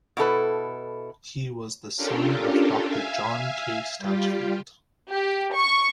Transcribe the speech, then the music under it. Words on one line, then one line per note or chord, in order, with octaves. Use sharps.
He was the son of Doctor John K. Stanchfield.
B2 E4 A4 B4
C#4 D4 F4 G4 A4 A#4
E5 F5 G#5
G3 F4 G4
G4
C#6